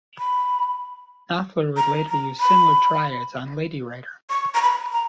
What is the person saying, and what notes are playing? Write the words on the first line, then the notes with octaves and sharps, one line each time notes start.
Knopfler would later use similar triads on "Lady Writer".
B5
A#5
A#5
B5
C#6
A#5
B5
A#5